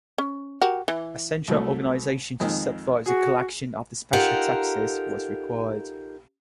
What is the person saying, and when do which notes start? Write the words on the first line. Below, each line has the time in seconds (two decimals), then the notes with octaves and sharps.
A central organisation to supervise the collection of the special taxes was required.
0.18 C#4
0.61 F#4 G4 A#4
0.88 E3
1.48 C2 F#3 A3
2.40 F2 D#3 G#3
3.06 F#4 G#4
4.13 D#4 F4 G4 A4 A#4 F#5